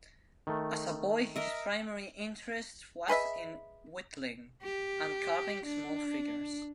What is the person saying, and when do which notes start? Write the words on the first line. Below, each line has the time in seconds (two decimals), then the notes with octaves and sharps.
As a boy his primary interest was in whittling, and carving small figures.
0.47 D#3 A3
1.36 A#4 D#5 E5
3.08 G#4 B4 D#5 E5
4.62 G4
5.65 D4